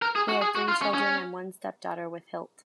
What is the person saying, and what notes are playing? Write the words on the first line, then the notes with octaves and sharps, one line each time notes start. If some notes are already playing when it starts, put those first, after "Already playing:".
He had three children and one stepdaughter with Hilt.
A#4
G#4
F#4
G#4
F#4
F4
C#4
C#4